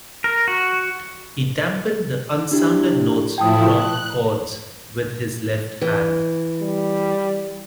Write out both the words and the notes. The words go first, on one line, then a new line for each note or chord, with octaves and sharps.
He dampened the unsounded notes from chords with his left hand.
A#4
F#4
D4 E4 G4
A2 F3 E4 G5 A5 D#6
F#6
E3
G3